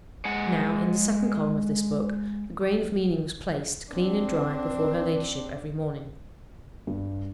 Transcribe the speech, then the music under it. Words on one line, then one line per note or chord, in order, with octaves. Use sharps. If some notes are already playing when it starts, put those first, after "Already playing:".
Now, in the second column of this book, the grain of meaning was placed, clean and dry, before her ladyship every morning.
G#3 F#5
C4 D4
G2